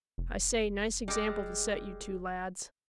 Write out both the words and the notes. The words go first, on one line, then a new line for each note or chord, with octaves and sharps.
I say, nice example to set you two lads.
F1
G3 G#3